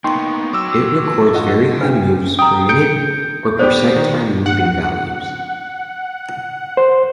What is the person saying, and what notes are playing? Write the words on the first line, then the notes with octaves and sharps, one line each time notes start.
It records very high moves per minute or percent time moving values.
A#3 B3 D#4 G5 C6 C#6
F#3 D6 E6
F4 D#5 F#5
C#4 D4 B4
G5 A#5 D#6
G6 C#7 D7
B3 G4 C5 D5
D#3
F#5
C5